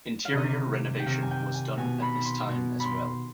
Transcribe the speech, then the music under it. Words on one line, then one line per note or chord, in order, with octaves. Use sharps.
Interior renovation was done at this time as well.
F5
C3 D#3 D#5
G5
C3 D#3 F5
G#5
G5
G#5
B2 G#5
B5
C6
B2
B5 C6